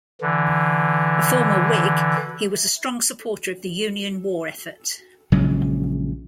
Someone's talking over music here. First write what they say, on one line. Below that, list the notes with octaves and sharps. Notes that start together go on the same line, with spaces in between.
A former Whig, he was a strong supporter of the Union war effort.
D3 E3
A#1 C#3 F#3 G#3